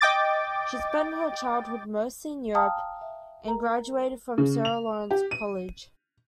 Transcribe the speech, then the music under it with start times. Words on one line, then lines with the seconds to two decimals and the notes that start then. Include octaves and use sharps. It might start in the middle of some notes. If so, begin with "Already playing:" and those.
She spent her childhood mostly in Europe and graduated from Sarah Lawrence College.
0.01 D#5 G5 D6 A6
2.54 F5 G5 A5 A#5 D#6 F6
3.01 E5
3.45 A#4 A#5
4.38 C#3
4.65 F7
5.11 G4
5.31 D#7